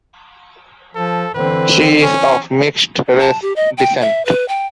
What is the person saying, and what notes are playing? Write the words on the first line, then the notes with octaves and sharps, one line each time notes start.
She is of mixed race descent.
F3 A4
D3 E3 C4 B4
C#4
A5
G4
D#5
G5
E5
B4
G5